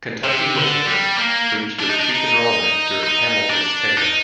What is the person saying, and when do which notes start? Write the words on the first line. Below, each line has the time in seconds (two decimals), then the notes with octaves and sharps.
Kentucky Wesleyan reached its peak enrollment during Hamilton's tenure.
0.24 C3
0.55 D3
0.86 G3
1.18 A#3
1.80 D4
1.90 D#4
2.00 D4
2.11 D#4
3.04 D#4
3.50 D4
3.98 D#4